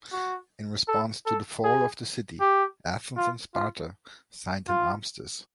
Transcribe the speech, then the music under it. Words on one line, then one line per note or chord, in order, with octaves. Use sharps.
In response to the fall of the city, Athens and Sparta signed an armistice.
F#4
A4
A4
G#4
G4
F4
F4
F4